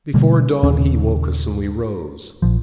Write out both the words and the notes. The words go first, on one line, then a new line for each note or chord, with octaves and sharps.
Before dawn he woke us, and we rose.
B2 D3 G3 A#3
D#1 D#2 C#3 C#4
A#1 F3